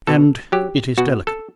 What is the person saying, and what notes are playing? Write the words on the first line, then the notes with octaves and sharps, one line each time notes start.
"And it is delicate."
B2 A4
F#3 G4
B2 F#4
A4